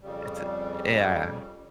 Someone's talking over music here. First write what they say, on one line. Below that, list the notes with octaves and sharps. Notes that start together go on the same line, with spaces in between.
It's a yeah, yeah.
F2 C#3 G3